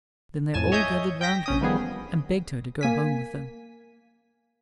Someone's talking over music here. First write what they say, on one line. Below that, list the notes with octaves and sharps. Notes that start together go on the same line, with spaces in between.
Then they all gathered round her, and begged her to go home with them.
F2 A2 G#5 A5 E7
C#5 D#5 E5 G#5 D#6 G6
G5 G6 A#6 B6
A#1 C#4 D#6
D#3 F3 G3 B3 G#4
A#3 G#5 B6